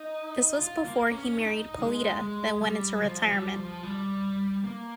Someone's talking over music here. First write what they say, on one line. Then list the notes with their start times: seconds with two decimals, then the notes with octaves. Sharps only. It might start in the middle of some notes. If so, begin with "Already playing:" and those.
This was before he married Polita then went into retirement.
Already playing: D#4
0.58 F4
0.85 A#3
1.11 C#4
1.38 D#4
1.79 G#3
2.20 G#3
2.61 G3
3.02 F3
3.28 G3
3.55 F3
3.83 G3
4.64 A#3